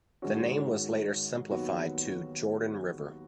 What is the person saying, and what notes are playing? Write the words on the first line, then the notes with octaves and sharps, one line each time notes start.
The name was later simplified to "Jordan River".
G#2 D#3 G#3 C#4 F#4
D#2 D#3 F#3 B3 F#4